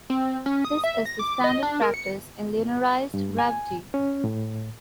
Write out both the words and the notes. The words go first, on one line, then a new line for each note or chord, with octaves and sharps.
This is the standard practice in linearized gravity.
C4
C#4
D#6
E5
A#6
D6
D#5
D4
A#4
C#7
G2
G#5
C#4
A2